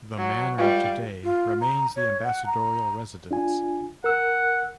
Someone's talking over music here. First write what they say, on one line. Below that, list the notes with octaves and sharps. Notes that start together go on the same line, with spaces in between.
The manor today remains the ambassadorial residence.
F#3
G3 G#3 F4 B4 F5
F4
A#5
C#5
F#5
A#5
D4 F4 G#5
A#4 F#5 E6